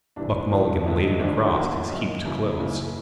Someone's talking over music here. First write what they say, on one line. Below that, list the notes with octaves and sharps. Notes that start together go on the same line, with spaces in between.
Buck Mulligan laid it across his heaped clothes.
C2 C3 E3 D4
C2 C3 E3
D2 D3 F3 G#3 D#4
D#4
D2 D3 F3 G#3 D4
D#4
E4
G4
G1 F#2 D#3 F#3 A#3 F#4
E4
G1 F#2 D#3 F#3 A#3 D#4
F#1 F#2 C#3 E3
F#1 F#2 C#3 E3